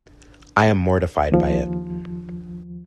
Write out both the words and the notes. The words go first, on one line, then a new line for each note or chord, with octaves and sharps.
I am mortified by it.
D#2 F3